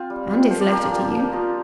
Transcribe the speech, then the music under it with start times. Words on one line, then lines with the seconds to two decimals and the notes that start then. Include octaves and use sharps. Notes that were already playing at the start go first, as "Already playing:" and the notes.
"And his letter to you."
Already playing: C4 F4
0.10 G3
0.31 C4 F4
0.50 F3 C5
0.61 D5
0.68 A#3 D4 G4 C5
0.92 F3
1.12 A#3 D4
1.32 F3 A#5